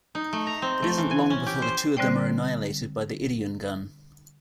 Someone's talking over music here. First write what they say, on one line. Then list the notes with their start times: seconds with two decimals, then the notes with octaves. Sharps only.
It isn't long before the two of them are annihilated by the Ideon Gun.
0.15 D#4
0.33 A3
0.47 A#5
0.62 C4
0.82 A3
0.98 E3
1.11 G#5
1.30 C#4
1.46 G4
1.62 C5
1.97 D3 G3 C4 C5 D5 G5